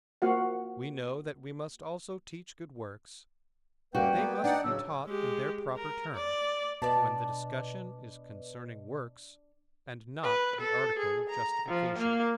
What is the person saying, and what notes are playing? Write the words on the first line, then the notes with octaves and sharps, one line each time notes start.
We know that we must also teach good works, but they must be taught in their proper turn, when the discussion is concerning works and not the article of justification.
A#3 C4 F4 F#4 F5 F#5
F#2 G3 A#3 F#4 B4 G5
A#3 B3
D4 D#4 D5 F#5
A2 C#3 F#3 E6
G#3 G4
A#4
D5
B2 D4 B4 D5 D#5 A5
B4
A4
G#4
A#5
F3
A#3